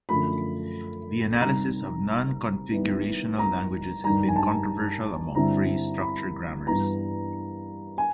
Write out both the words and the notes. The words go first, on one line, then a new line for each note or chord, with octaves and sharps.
The analysis of non-configurational languages has been controversial among phrase structure grammars.
F#2 D3 F3 A3 B5
C3 D#3 G3 A#5
D#3 G3 B3 E4
A#5
G2 D#3 G3 A#5
G#5
A5
G2 D3 G3 C4 E4 A#5
B5
G2 E3 G3 B3 A#5
G#5